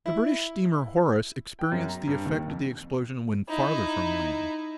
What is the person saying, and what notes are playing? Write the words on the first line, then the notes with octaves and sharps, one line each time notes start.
The British steamer Horace experienced the effect of the explosion when farther from land.
E4
G5
F#2
A#5
G2
D#2
F2
D#4 E4